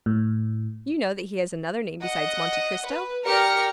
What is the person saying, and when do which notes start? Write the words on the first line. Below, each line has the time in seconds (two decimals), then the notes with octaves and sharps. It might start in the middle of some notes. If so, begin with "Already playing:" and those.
"You know that he has another name besides Monte Cristo?"
0.06 A2
2.01 D#5 F#5
2.86 B4
3.26 G4 A#4 D5 F6 A#6 C#7